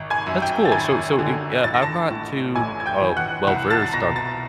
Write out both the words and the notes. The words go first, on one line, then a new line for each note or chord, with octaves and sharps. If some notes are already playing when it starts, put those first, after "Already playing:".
That's cool, so so eh, yeah, I'm not too, uh, well-versed on
Already playing: G#1
G#5 G#6
F#2
G5 G6
A6
G#1 G#5 G#6
D3
A1 A6
A#6
A5 A6
A2
A1 G#5 G#6
G#6
G5 G6
E3
F#5 F#6
C2 F#5 F#6
A5 A6
B2 A#5 A#6
A5 A6